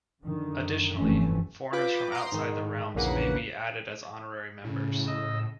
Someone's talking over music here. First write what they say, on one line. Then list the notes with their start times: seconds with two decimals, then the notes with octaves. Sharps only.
Additionally, foreigners from outside the realms may be added as honorary members.
0.21 F#2 D3 D#3
0.97 F1 G2 E3 A3 C4 C#4
1.73 F4 B4 G5 D6
2.12 A#5 C6
2.32 G#2 D#3
2.95 A#1 E2 C#3 A#3 B4 F#5
4.64 A2 C#3
5.07 D#5 E6